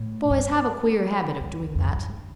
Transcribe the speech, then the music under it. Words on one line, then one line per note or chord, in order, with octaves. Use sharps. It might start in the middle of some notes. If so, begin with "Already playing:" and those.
Boys have a queer habit of doing that.
Already playing: A2
G2
E2
F2
F2
F2
G2
D3